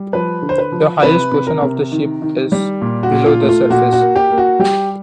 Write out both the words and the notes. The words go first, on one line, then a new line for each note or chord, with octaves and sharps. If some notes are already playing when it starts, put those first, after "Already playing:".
The highest portion of the ship is below the surface.
Already playing: G3
F3 B4
D3
C5
B4
F3
C3 B4
C3
A#4
C3
D#3
D#3
G3
A#2
F#4
A#2
F4
A3
F4
A#2 F#4
F#4
A#3
G4
A#3
F#4
G3 G4